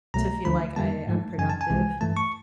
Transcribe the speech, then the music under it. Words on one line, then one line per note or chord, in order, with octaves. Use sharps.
to feel like I am productive,
C2 B2 F#3 A3 A#5
D2 D3 F3 A3 B5
F2 D3 G3 A#3 A5
G#2 F3 A3
F#2 C#3 E3 G#5
A5
G#5
C2 C3 E3 G#3
G2 E3 A3 A5
C#6